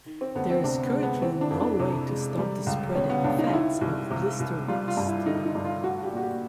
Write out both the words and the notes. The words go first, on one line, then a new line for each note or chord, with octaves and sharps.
There is currently no way to stop the spread and effects of blister rust.
D#3
C4
D2 B3
C4
C3 D4
B3
G#3
B3
E3 C4
D4
F2
D4
C3
G#3
G3
C#2
B2 C#4
B3
C#2 D4
D#4
F4
D#3 E4
C2
C3
C2
G3 F4
F4
G2
E4
D3 D#4
D#4
G2
F4
A3 F#4
G4
A#2 F#4
G4